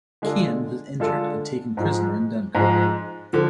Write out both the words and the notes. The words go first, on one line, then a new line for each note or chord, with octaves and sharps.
Keun was injured and taken prisoner in Dunkirk.
D3 G#3 D4 F4 A4
D3 G#3 D4 F4 A4
G#2 F3 G#3
G#2 F3 G#3
D3 F3